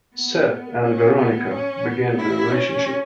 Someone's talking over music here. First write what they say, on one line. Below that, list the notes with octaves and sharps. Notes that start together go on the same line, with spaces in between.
Seth and Veronica begin a relationship.
B3
C#4
B3
C#4
B3
E4
C#4